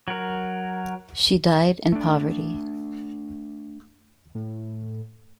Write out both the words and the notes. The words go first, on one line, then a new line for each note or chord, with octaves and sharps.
She died in poverty.
F#3 A#4
A3 D4
A2